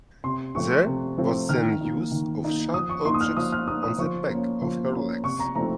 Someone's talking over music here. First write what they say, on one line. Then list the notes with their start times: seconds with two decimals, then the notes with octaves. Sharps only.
There was then use of sharp objects on the back of her legs.
0.24 C3 C6
0.55 F3 A3 C4 C#6
0.87 C3
1.18 F3 A3 C4
1.49 D#3 F6
1.81 A#3 D#4
2.12 D#3
2.43 A#3 D#4
2.74 F3 D#6
2.89 C#6
3.05 A#3 D#4 C6
3.14 D#6
3.21 F6
3.37 F3 D#6
3.52 F6
3.67 A#3 D#4 D#6
3.83 D#6
3.99 F3 C#6
4.30 A#3 C#4
4.62 F3
4.93 A#3 C#4
5.24 C3 C#6
5.39 A#5
5.55 F3 A3 C4 D#4 A#5